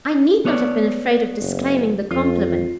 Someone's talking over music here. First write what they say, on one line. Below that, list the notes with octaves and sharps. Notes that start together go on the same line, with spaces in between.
I need not have been afraid of disclaiming the compliment.
B3 C#5 D5
F#1
F2 F4